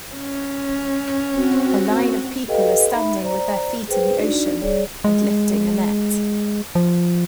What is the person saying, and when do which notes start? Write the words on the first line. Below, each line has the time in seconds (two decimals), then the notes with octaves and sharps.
A line of people are standing with their feet in the ocean and lifting a net.
0.15 C#4
1.31 C4 F#4
2.48 G4 A4 B4 D#5 F5 G5
2.91 D#4 E5 B5
3.22 C5 D5 A#5
3.88 G#4 B4 C5 G5
4.18 D4 D#4 F#4 D5
4.61 G3 G#4 C#5 D5
5.04 G#3
6.75 F3